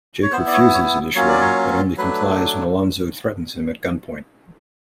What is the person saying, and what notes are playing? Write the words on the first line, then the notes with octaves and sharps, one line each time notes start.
Jake refuses initially, but only complies when Alonzo threatens him at gunpoint.
C#5
B3 E4 C5
D5
C#5
C#5
F#3 A#3 C#4 F4 C#5
D5
C#5
F#3 A3 D4 B4